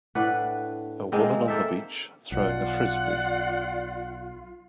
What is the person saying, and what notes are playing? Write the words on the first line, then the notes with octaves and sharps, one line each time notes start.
A woman on the beach throwing a frisbee.
A2 D4 B4 F#5
D#3 G#3 A#3 C4
A#3 A4 C5 E5
B1 F4 D5 F#5